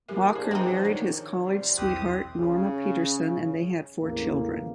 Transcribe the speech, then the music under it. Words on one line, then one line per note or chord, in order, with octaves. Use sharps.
Walker married his college sweetheart, Norma Peterson, and they had four children.
E3 A#3 G4 A#4 E5
D4 G#4 C5
F3 C4 D4 D#4 F#4 B4
D#3 C#5
C3 F3 G3
B1 E2 C4 E4 G4 D#6 F#6
C#3
A1 E2 C#3 A#3